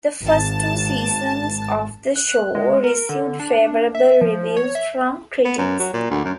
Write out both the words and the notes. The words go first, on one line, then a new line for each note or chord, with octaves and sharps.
The first two seasons of the show received favorable reviews from critics.
G#1 A5
F#6
G#3
A#4
D3
D4
E5
F3
C#5
E5
B3
F#2
F#3
A#2
D2
F#2